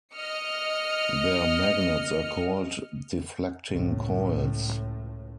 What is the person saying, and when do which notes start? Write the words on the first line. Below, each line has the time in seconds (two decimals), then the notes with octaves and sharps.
Their magnets are called "deflecting coils".
0.14 D#5 F6 C#7
3.71 C#2 A2